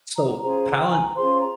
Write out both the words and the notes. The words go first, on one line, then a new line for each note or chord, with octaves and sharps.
So, Palant
A#5
C#4 F4 G#4 C5 A#5
G5
G#5
A#5
C#4 F4 G#4 C5 C6
A#5